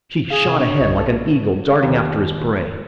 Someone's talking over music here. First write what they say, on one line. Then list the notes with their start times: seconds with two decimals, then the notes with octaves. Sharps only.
She shot ahead like an eagle darting after his prey.
0.30 G#4 F5
0.46 C3
0.59 D4 C#5
0.81 B1 E4 D#5
0.96 A4
1.83 D#2